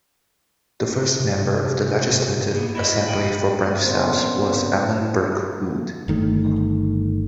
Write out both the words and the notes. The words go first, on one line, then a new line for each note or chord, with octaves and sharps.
The first Member of the Legislative Assembly for Brant South was Edmund Burke Wood.
C3
A#3 B3
E4 F#4 D#5 B5
D#5 G5
A#2 C#3 B3 C4 C5
G1 D#3 A3